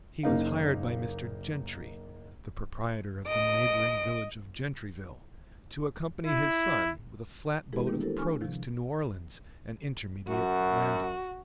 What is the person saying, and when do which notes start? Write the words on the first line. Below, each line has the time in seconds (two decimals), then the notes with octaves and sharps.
He was hired by Mr. Gentry, the proprietor of the neighboring village of Gentryville, to accompany his son with a flat-boat of produce to New Orleans and intermediate landings.
0.23 F#1 A#3 D#4 F5
3.27 D#5 D7
6.27 E4
7.73 E3 G#3 E4 G4 G#4 A#4
7.87 D#3 G3 A#3 B3 D4 D#4
8.00 E4 G4 A4 A#4 C5
8.18 D4 G#5 C#6 F6
8.41 C3 D#3 F3
10.28 F#2 F#4